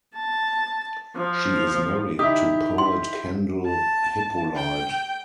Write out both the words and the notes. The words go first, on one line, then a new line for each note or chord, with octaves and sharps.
She is married to poet Kendel Hippolyte.
A5
F3
D#4 E4 G4 D#6
C6
A5
G5